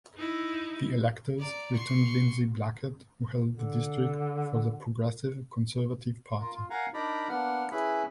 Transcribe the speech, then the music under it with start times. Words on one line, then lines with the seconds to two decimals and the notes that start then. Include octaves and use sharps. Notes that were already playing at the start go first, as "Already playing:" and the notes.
The electors returned Lindsay Blackett who held the district for the Progressive Conservative Party.
0.17 D#4 E4
1.39 D5 A#5
1.72 C6 C#6
3.56 D3
6.40 F4 A#4
6.54 F4
6.70 A#4 F5 F#5 G#5 A#5
6.94 D4 D#4 A#4 D5 A#5 B5
7.29 A#3 B3 D4 F#5 F6
7.71 C#4 E4 G#4 B4 B5